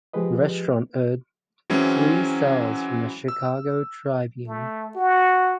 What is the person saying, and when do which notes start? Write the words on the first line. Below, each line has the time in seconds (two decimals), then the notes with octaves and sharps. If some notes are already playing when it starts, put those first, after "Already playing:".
The restaurant earned three stars from the Chicago Tribune.
0.13 F3 G#3 G4 G#4 B4 D#5
1.70 E3 F#3 G#3 C4 C#4 E4
3.28 E6
4.47 A3
4.96 F#4